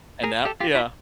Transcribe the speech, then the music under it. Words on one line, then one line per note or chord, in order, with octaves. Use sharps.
and that yeah.
G#4 A#4
G4 A4
F4 G4
E4 F#4